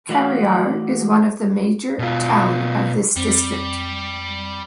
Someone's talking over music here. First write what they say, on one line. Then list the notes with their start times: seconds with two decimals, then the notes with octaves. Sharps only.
Khariar is one of the major town of this district.
0.09 E3 A3 F#4 D5 F5 F#5
1.99 B2 F4
3.16 F2 G3 C4